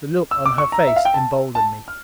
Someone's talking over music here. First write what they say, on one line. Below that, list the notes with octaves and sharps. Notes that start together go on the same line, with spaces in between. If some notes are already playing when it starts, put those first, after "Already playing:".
The look on her face emboldened me.
E6
D6
C#6
A#5
E5
F5
G5
A5
A5
F6